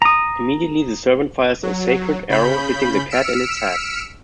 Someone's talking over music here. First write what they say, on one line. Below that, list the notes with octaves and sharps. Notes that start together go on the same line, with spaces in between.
Immediately the servant fires a sacred arrow, hitting the cat in its head.
A#5 D#6
F#3
C#3 B5 G6
E6 F6 B6 C#7 D7 E7